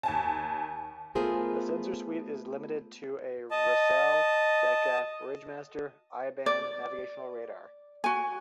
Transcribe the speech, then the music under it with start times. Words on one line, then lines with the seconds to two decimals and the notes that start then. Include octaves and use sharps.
The sensor suite is limited to a Racel Decca Bridgemaster I-band navigational radar.
0.03 D#2 G#5 A5
1.15 A3 B3 F4 G#4 A#4 C5
3.51 D#5 A5
6.46 D5
8.04 F#4 G#5